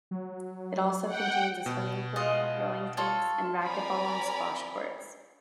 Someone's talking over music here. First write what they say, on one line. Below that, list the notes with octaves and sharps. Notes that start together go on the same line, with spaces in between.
It also contains a swimming pool, rowing tanks, and racquetball and squash courts.
F#3
F#5 G5
B2
F4 D#5 F#5
F4 A4 C#5
C4 A#4 D5 G#5 A#5 B5